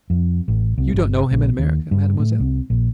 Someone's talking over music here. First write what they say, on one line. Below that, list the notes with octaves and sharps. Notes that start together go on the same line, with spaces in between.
"You don't know him in America, mademoiselle?"
F2
A1
C2
G1
A#1
D#2
G2
A2
C2
A#1